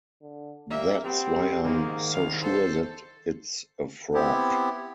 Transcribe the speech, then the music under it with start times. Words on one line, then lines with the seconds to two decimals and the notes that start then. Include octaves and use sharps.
That's why I'm so sure that it's a fraud.
0.22 D3
0.71 G3 A#3 E5
1.04 B3 C4 G4
1.65 G#2 D#3 G#3 A#3
2.14 C2 F5
2.42 A4 C5
4.14 B3 C4 E4 G4